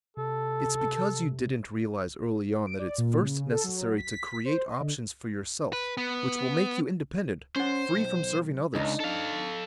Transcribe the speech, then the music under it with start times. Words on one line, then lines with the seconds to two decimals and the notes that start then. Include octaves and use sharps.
It's because you didn't realize early on that it's first necessary to create options for yourself which will make you independent, free from serving others.
0.17 C3 A4
2.67 D7
2.79 D5
2.98 A#2
3.21 C#3
3.52 A4
3.64 F#3
3.98 B6
4.45 C5
4.68 D#5
4.81 D3
5.73 B4
5.97 B3
7.56 C#4 C5 F#5
7.95 B1
8.75 C#2 D4 D#4 D#5
9.00 A4 F5